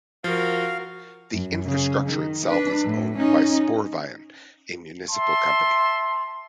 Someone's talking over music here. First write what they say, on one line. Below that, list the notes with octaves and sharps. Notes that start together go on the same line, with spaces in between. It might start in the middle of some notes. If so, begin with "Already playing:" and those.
The infrastructure itself is owned by Sporveien, a municipal company.
F3 F#4 A#4 F5
F#2
C#3
D#3
D4 B4
A2
C#4 D#4
E5 A5 C6